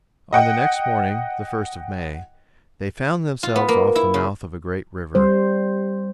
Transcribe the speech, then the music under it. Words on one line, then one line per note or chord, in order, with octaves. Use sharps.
On the next morning, the first of May, they found themselves off the mouth of a great river.
D#5 F#5 G5
F4
B3
A#3
E4
C#3
G3 C5